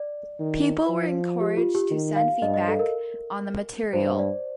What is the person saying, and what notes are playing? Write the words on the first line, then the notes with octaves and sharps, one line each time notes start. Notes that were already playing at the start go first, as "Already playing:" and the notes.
People were encouraged to send feedback on the material.
Already playing: D5
D#3
F3
G4
F4
G4
D#3
F5
G2 D#5
D#5
A4
A#4
G2 C5
D5